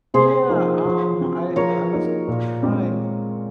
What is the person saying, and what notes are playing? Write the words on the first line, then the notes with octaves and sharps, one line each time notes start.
Yeah, um, I I was trying
C3 G#4 C5
F3 A#3 D#4
F3
C4 F#4
F3 A#4 C#5
A#3 D#4 F#4
A#2
G#3 C4